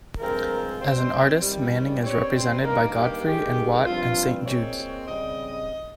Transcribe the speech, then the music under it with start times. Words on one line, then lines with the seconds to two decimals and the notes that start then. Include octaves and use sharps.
As an artist Manning is represented by Godfrey and Watt, and Saint Judes.
0.18 G2 F3 G#3 C4 A#4
0.80 A#2 G3 C4 C5
1.41 C3 D#3 G3
2.02 G2 G3 C4 C#5
2.31 C5
2.62 G2 D#3 A#3 A#4
2.93 G4
3.23 G2 D#3 G#3 G4
3.84 G2 F3 C4 F4
4.45 A#2 G#3 C4 C#5
5.06 C#3 G3 C4 D#5